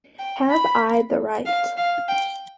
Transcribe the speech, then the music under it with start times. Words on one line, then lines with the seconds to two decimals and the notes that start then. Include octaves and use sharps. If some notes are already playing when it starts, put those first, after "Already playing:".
Have I the Right?
0.19 G5
0.50 B5
1.46 F5
1.77 F5
2.08 G5